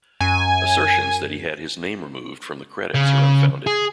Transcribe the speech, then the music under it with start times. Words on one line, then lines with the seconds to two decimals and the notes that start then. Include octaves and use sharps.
Assertions that he had his name removed from the credits are unfounded.
0.21 F#2 G#5
2.94 C#3
3.67 G#4